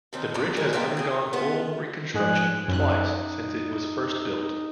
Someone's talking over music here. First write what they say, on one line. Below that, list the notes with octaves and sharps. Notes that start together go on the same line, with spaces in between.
The bridge has undergone full reconstruction twice since it was first built.
B2 D#3 C4
E2 D4 A4
G#3 E4 F#4 A#4
A#3 C4 E5 G5 A5
C4 G#4
B3 F4 A5
G#2 F3 G#3 G#5 F#6
F#2 D#4 F#6